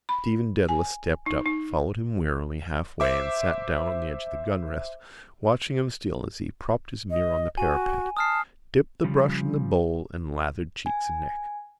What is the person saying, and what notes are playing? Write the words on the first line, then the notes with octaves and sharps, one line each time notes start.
Stephen Dedalus stepped up, followed him wearily halfway and sat down on the edge of the gunrest, watching him still as he propped his mirror on the parapet, dipped the brush in the bowl and lathered cheeks and neck.
B5
G#5
D#4
D#4
C5 E5 D6
D#5
F#4 G#5
A5 D#6 F6 C7
C#3 F3 G3
G#5